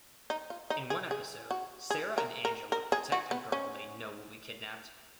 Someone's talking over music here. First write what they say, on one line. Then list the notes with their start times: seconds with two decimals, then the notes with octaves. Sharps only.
In one episode, Sarah and Angela protect a girl they know will be kidnapped.
0.30 D#4
0.50 F4
0.70 D#4
0.90 G#4
1.11 G#4
1.51 F#4
1.90 G#4
2.18 A#4
2.45 A#4
2.72 A#4
2.92 G#4
3.12 F#4
3.31 B3
3.52 C#4